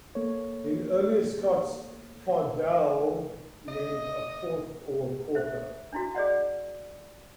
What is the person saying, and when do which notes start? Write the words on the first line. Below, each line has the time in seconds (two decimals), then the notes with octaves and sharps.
In earlier Scots "fardell" meant a fourth or quarter.
0.15 A#3 A4 C#5
3.68 D#5
5.35 C5 E5
5.93 D4 E4 F#4
6.15 G#4 D5 D#5 F#5